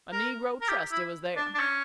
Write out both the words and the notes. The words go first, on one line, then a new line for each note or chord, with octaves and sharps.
A negro trusty was there.
A#4
A#4
G4
E4
D4
D4
C#4